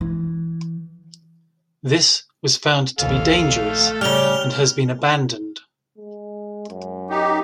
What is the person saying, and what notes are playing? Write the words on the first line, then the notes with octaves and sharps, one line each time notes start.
This was found to be dangerous, and has been abandoned.
E3
A#1 D#2 A4 F5
A3
C#3 G3 G4 F6 F7 G7
G#3
F#2
D#4 G4